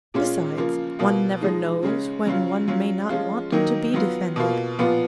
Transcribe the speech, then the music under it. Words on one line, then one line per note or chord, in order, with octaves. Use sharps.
Besides, one never knows when one may not want to be defended.
A#2 G#3 C#4 F4
C#3 F3 A#3 F4
B2 A#3 F4
F3 G#3 D#4
C#3 G#3 C#4
C#3 F#3 C#4 F4
F#3 C#4 F4
F3 G#3 C#4 F4
D#3 F#3 A#3 D#4
F#3 B3 F4
B2 A#3 F4
A#2 F3 B3 F4